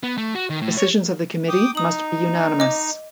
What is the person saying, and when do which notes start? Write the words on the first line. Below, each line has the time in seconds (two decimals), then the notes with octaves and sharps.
Decisions of the committee must be unanimous.
0.03 B3
0.18 A3
0.35 F#4
0.50 D#3
0.62 A2
0.78 C#5
1.49 G5 D6 D#6
1.75 D#4 D#6 F#7
2.60 D#5 D6